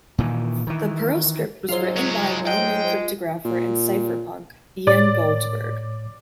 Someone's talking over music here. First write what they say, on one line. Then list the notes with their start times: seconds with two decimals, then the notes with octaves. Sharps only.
The perl script was written by well known cryptographer and cypherpunk, Ian Goldberg.
0.18 A#2 D#3 E3
0.67 D#3 E3
1.69 G#2 F#3 F4 C5
1.96 G#3 C#4
2.47 G#3 G5
3.45 A#2
4.87 A2 C#5 D5 A6